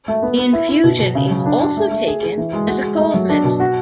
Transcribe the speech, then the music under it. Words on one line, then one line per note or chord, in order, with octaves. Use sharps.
The infusion is also taken as a cold medicine.
A3
B3
B3
E4
E4
B2
B2
C#3
F#3
D4
D4
A3
A3
G#4
G#4
E3
G#3
F#4
G#3
A3
F#3
D4
B2
F#4